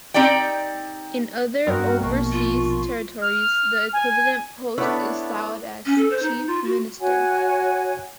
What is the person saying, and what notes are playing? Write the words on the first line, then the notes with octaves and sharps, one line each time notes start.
In other overseas territories the equivalent post is styled as Chief Minister.
C4 D#4 G4 D5 G5
G2 B3 C4 F#4 A#4
A#1 B2 A#3 C#6
F4
F6
G#5
A3 B3 D4 E4 B4 C#5
C#4
A4
C5
D#4
F4
F#4
F#4 C#5 F#5 G#5